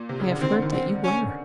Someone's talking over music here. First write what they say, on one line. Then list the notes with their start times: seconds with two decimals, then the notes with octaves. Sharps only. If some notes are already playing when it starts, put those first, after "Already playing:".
I have heard that you were.
Already playing: A#2
0.09 C3
0.20 C#3
0.31 D3
0.41 D#3 C4
0.52 D3
0.62 D#3
0.72 D3 C4
1.04 C#4